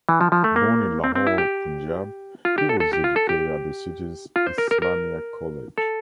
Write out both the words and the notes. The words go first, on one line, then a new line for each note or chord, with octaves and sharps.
Born in Lahore, Punjab, he was educated at the city's Islamia College.
E3
F3
F3
A3
A#3
C4
C4
E4
G4
F4
G4
A4
A4
G4
F4
A4
G4
F4
C5
A#4
A#4
A#4
A4